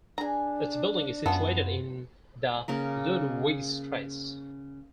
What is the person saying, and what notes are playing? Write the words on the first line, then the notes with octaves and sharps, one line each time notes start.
Its building is situated in the Ludwigstrasse.
D4 G#4 G#5 A#5
F#2 B3 F4 A4 C5 G#5
C#3 A#3 A#4